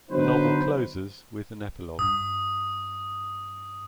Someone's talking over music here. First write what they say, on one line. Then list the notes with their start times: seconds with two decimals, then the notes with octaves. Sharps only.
The novel closes with an epilogue.
0.10 D3 F#3 B3 D#4 B4 C5
1.99 G2 D#6